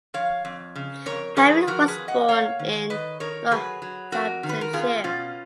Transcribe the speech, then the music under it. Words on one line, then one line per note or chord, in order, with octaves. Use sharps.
Powys was born in Northamptonshire.
F3 C#5 F5
F2
C#3
F2 A#4 C#5
F3 G#4 B4
F3 F#4 A#4
G#4 B4
F2
D#5 F#5
A#3 C#5 F5
D#3
D#3 B4 D#5
D#3 A#4 C#5
F#3 G#4 B4
F#3
F2 F#4 A#4
D#3
B4
A#4
B3 F4 G#4
B2 C#4 F4